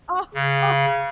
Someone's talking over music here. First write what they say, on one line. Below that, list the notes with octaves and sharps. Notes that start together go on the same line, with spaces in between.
Oh, huh.
C#3